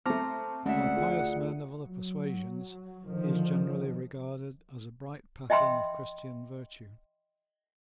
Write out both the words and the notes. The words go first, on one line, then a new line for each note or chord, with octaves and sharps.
By pious men of other persuasions he is generally regarded as a bright pattern of Christian virtue.
A3 C4 A5 A#5 D6 F6
D2 G#3 C#4 E5 F#5
F4 G#4
F#3
D3 D#3 F3
D#5 E5 G5 B5 C6